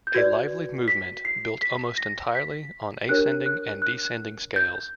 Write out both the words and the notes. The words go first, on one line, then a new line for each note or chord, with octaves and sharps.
A lively movement built almost entirely on ascending and descending scales.
G6
F#4 B4 D5 G#6
B6
C7
B6
A#6
B6
D4 G4 A#4 C#5 F#6
F#6
F#6
G6